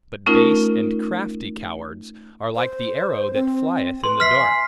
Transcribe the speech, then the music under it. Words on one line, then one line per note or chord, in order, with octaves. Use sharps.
But base and crafty cowards, are like the arrow that flieth in the dark.
A3 C#4 D#4 F4 A#4
C5
C4
B4 C6
E5 F6 B6 C7
G#5